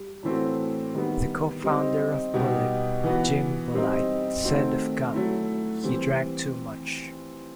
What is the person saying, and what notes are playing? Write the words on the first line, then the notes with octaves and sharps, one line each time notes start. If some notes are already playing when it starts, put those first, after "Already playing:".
The co-founder of Bullet, Jim Bulleit, said of Gant:He drank too much...
Already playing: G3
A2 E3 A3 C4 F#4
D#3 G3 B3
G3 C4 D#4
B2 G3 D#4 G4
E3 B3 F#4
G3 C4 D#4
D#3 A3 C4 F#4
F#3 A3 E4
E3 G3 C4